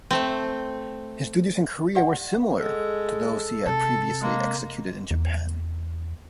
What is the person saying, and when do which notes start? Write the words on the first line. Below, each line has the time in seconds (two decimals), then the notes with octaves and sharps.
His duties in Korea were similar to those he had previously executed in Japan.
0.11 A3 C4
1.95 G4 D5 F#5
2.59 G#3 A4
3.66 C3 A4 A5
4.22 G#3 A#3
5.11 E2